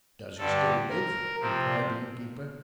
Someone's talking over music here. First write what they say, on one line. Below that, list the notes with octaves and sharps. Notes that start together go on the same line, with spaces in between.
"Does he still live?" inquired the innkeeper.
G2 D3 G3 A4
A#4
C3 F3 C4